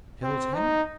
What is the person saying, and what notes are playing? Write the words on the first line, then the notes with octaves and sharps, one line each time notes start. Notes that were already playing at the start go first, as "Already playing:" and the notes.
"Killed him?"
C4
D#4